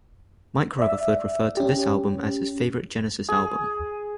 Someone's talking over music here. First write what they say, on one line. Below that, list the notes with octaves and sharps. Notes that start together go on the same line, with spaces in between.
Mike Rutherford referred to this album as his favourite Genesis album.
D5 E5
C#4 G4
G#4